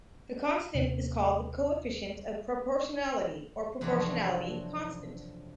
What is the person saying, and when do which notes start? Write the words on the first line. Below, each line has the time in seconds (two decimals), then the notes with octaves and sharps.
The constant is called the coefficient of proportionality or proportionality constant.
0.74 D#2 C3 C#4
3.81 F2 C3 E3 F#3 D4 C#5